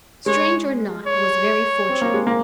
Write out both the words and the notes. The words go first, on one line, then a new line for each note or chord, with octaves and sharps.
Strange or not, it was very fortunate.
G#3 C#5
C#5
C4
A#3
G#3
A#3